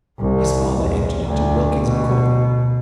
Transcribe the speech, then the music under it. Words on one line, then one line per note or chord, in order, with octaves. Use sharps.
His father entered into Wilkins Micawber.
C2
E2
D2
B2